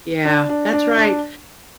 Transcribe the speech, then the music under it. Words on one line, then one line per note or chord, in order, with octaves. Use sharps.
Yeah, that's right.
D4
D4
D4
D4